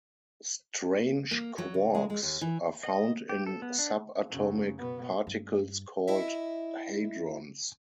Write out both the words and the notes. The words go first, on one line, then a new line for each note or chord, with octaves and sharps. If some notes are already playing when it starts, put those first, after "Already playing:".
Strange quarks are found in subatomic particles called hadrons.
A#3
F#3
C#3
G#3
G#3
D#2
E3
D#5
G4
A4
B3
D4
F#2 C#3
B2 B3
G2
E4 D#5 E5